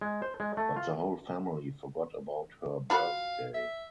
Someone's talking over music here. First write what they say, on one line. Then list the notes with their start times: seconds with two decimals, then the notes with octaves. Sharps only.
But the whole family forgot about her birthday.
0.01 G#3
0.22 C5
0.40 G#3
0.57 A3
0.76 F4
2.90 F4 F#4 F5 B5
3.54 E5